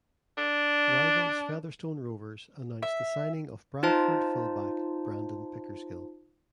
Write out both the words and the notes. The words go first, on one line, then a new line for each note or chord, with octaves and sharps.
Rivals Featherstone Rovers announced the signing of Bradford fullback Brandon Pickersgill.
D4
E5
D#4 F4 C5 A5